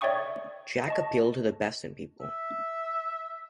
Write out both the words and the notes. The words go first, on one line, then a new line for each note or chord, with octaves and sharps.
Jack appealed to the best in people.
C#5 D5 E5 G5 C#6 D#6
D#5 A5 C#6
E5